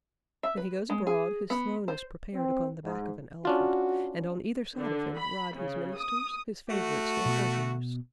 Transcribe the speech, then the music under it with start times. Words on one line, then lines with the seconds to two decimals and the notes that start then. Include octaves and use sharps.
When he goes abroad his throne is prepared upon the back of an elephant, and on either side of him ride his ministers, his favourites, and courtiers.
0.43 E5
0.57 B4
0.90 G#3
1.07 G#4
1.50 B3
1.88 C5
2.34 C4
2.84 G#2
3.45 C#4 D4 F4 F#4
4.77 D3
5.19 B5
5.55 C#3
5.98 D#6
6.70 A3 F#4
7.25 B2 B3